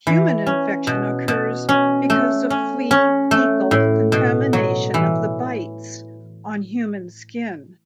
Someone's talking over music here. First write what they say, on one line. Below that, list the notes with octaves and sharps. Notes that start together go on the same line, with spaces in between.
Human infection occurs because of flea-fecal contamination of the bites on human skin.
E3
C#4
B2
B2
C#4
A3
C#4
C#4
A3
A2
B2
F#3
E3